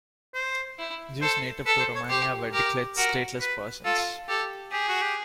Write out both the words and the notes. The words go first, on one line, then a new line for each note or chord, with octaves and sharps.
Jews native to Romania were declared stateless persons.
C5
E4
A4 C5
A4 B4
C5
C#5
G4 C5
G4 A#4
F#4 A#4
B4
F4 A4
G4 A4
G4 G#4
F#4
G4